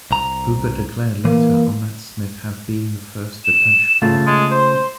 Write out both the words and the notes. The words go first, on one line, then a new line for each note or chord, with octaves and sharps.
Hoover declared later on that Smith have being the first to touch Floyd.
C2 A#5
E3 A#3
E7
C#3 A3 F4 A6
G#3
C5 C6